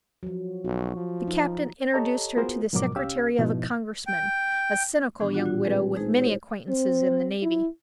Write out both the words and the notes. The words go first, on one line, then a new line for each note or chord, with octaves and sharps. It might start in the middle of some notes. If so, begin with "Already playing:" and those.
The captain introduced her to the secretary of a congressman, a cynical young widow with many acquaintances in the navy.
F3 F#3
B1 F#4
F3
D#4
G4 A4 C#5 D#5 A5 A#5
B3 F4 F#4 G#4 A#4 C5
G#2 B2 F3 F#3 A#4 D6
C2 C#4 G4 F5 E6
G#2 B2 F3 D#4 E4
G5
A2 D#3 E3 B3 D4
D4 F4 F#4 F#5
A#2 F4 F#6
G#3 C4 G#4 B4
G#3 A3 D#4 G#4 C5
E4 G4 C5 C#5
C4
E4